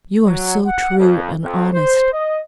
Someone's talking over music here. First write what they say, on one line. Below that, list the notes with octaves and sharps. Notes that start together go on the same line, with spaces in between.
You are so true and honest!
F#3
F#5
F2
F2
C5
D#5